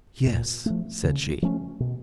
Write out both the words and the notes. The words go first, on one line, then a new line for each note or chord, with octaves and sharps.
"Yes," said she.
A#2
F3 A3
C#3
F3 A3 C#4
B2